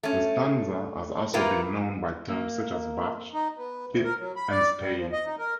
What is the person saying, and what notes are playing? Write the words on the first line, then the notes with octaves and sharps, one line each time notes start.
The stanza has also been known by terms such as "batch", "fit", and "stave".
A3 C#4
G3 A#3 E4 F4 A#4 B4
A#3
D#4
B3
D2
A#4
F#3
B5
D5
G3
F3
D#5
D#4
A#4